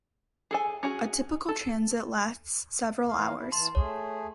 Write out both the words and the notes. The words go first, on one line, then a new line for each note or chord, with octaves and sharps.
A typical transit lasts several hours.
G#4 A4 G#5
C#4 F#4 G#4
A4
E3 A#3 F5
D2 G#2 E4
E3 A5 C6
A3 G#4 C#5